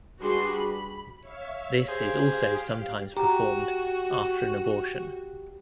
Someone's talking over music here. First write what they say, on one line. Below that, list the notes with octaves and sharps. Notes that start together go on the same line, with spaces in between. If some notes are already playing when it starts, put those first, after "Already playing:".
This is also sometimes performed after an abortion.
G3 D4 F#4 G#4 B4 C6
B5
C#5 E5 F5
G4 G#4 C5 F5
F#4 G4 A#5